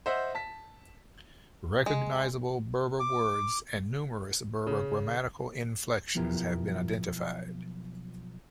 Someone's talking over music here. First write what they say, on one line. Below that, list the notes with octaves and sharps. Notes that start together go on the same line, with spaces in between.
Recognizable Berber words and numerous Berber grammatical inflections have been identified.
C5 D#5 E5 F#5
A5 B6
G#3
D6
C#3
B1 F3 B3 E4 G4 A#4